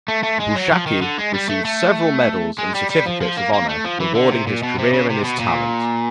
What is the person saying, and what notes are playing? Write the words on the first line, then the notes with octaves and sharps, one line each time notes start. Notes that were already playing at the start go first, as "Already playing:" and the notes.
Boushaki received several medals and certificates of honor rewarding his career and his talent.
A3
A3
G#3
F#3
F3
D#3
D3
G#3
G3
A3
A3
G#3
G3
G3
F3
F3
A#3
A#3
A3
F3
E3
D3
C3
A#2
B2
C3
C#3
C3
B2
A#2